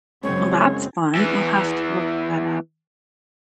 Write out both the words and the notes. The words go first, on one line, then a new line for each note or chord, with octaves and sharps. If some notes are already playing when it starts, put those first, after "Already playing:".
Oh, that's fun, I'll have to look that up.
F#1 F#2 G#3 C4 C#4 C#5
E2 E3